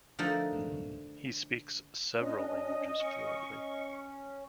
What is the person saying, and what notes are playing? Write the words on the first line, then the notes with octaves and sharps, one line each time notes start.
He speaks several languages fluently.
D3 F3 A3 D#4 A4 A#4
C#4 D4 D#5
C#4 C#6